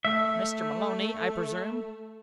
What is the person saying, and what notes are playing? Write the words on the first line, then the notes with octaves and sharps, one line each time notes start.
"Mr. Maloney, I presume?"
A3 E5